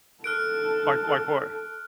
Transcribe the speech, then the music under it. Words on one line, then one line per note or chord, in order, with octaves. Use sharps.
like like what?
A4 F6 F#6 D7